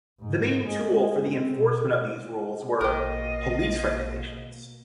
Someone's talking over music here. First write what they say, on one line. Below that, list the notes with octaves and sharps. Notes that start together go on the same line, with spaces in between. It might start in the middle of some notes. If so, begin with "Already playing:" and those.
The main tool for the enforcement of these rules were "police-regulations".
G#2
G#3
G#3
C4
B2
A#1 B2 A#3 F4 A#4 D#5 G5